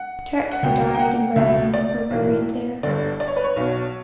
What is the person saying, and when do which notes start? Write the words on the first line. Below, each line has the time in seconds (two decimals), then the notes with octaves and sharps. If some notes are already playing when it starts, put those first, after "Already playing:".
Turks who died in Berlin were buried there.
Already playing: F#5
0.52 F#5
0.63 C#2 B2 G5
0.95 G5
0.99 F#5
1.36 C#2 B2 E5
1.74 D5
2.10 B1 A2 E3
2.83 G1 G2 D3 D5
3.20 D5
3.28 C#5
3.36 B4
3.44 C#5
3.56 B1 B2